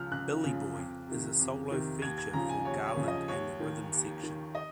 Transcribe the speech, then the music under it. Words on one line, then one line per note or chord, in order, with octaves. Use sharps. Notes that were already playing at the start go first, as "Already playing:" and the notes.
"Billy Boy" is a solo feature for Garland and the rhythm section.
Already playing: C#2 C#3 F3 F6
C#2 F#6
C#3 F3
F2
C3 D#3
F2
C3 D#3
D#2 G#6
G#6
C#3 F3 A#5
G#5
D#2 C#5
C#5
C#3 F3
D#5
D#2 C#5
D#3
D#2
D#3
D#5